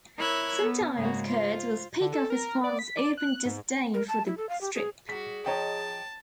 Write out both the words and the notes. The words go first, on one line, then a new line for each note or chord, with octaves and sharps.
Sometimes Kurtz will speak of his father's open disdain for the strip.
E4 A#4 C#5 E6 F#6 G#6
B3
G#2 C#3 A#3 F#4
F4 C5
D3
A4
A#4
D5
B6
D5
F#6
G#2
A#4
A5
E4
A4
F5
G4
G#4
G3 F#4 G#4 B6
F3 C#5 D#5 G5 A5 A#5